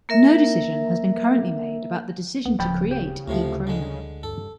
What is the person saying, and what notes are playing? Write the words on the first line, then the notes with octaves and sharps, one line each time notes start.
No decision has been currently made about the decision to create "e-krona".
A#3 A#4 E5
C#2 B3
D1 C#3 F3 G5 B5
C#3 G4
D2 A2 C3 F3
D3 G#3
G2 A4